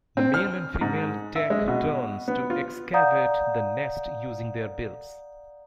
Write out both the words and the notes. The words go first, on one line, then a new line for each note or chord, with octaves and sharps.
The male and female take turns to excavate the nest using their bills.
C4
F6
G#2
E5
G#3
B2
B3
F4
D5 F5 F#5 A#5 D#6 G6